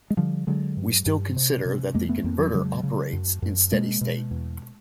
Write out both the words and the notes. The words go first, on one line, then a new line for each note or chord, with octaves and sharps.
We still consider that the converter operates in steady state.
G#3
D3 F3 G3
D3 F#3 G#3
G2
G2
C3
C3
F2 G#3 A#3
A3 B3
F2 A#3 C4
E3 F#3
C#3 F#3 G#3
C#3
F#2
F#2
B2 G#3 A#3
B2
E2